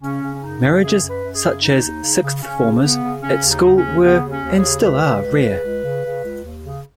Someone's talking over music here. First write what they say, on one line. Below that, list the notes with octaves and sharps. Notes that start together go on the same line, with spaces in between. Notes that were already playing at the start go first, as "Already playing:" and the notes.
Marriages such as sixth-formers at school were and still are rare.
C#3 C#4
C#3
C#4
F#2 D#4
C#3
F#2 G#4
F#2
B4
F#2
G#4
C#3
C#3 D#4
D#2
C#3
C#3
C#3 C#4
C#3
C#3 B3
C#3
C#3 C#4
D#2
D#4
C#3
C#4
D#2
C#3 B3
D#2
C#4
D#2
G#4
C#3
C#2 B4
C#3
C#2
C#3
C#2
C#3
C#3
C#2
D#2
C#3